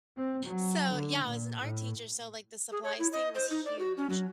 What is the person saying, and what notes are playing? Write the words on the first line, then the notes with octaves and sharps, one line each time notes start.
So, yeah, I was an art teacher, so, like, the supplies thing was huge
C4
F#3
D3
A#2
A2
G#4
C#5
E4
D#5
C5
D#4
D5
F#4
C#4
F#3